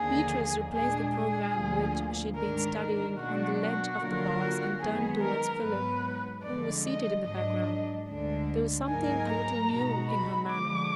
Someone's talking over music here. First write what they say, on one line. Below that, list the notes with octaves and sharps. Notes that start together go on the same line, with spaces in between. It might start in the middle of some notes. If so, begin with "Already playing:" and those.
Beatrice replaced the programme which she had been studying, on the ledge of the box, and turned towards Philip, who was seated in the background. There was something a little new in her manner.
Already playing: D#2 D3 F3 A#3 G#4
A#2 G#3 D4 G#4
G#4
D2 D3 F3 A#3 F4
G#2 D#3 G#3 D4 A#4
A#4
B2 F#3 A#3 D4 F#4
F#4
D3 F#3 A#3 F4 A#4
F#4
F#2 D#3 G#3 B3 G#4
A#4
G#2 F#3 B3 B4
F2 D3 G#3 D5
D#5
G#2 F#3 D4 D#5
D2 D3 G#3 D4
G#2 F#3 A#3 D#4 A#4 G#5
A#5
B2 G#3 D#4 F#4
B5
D3 F3 G#3 D6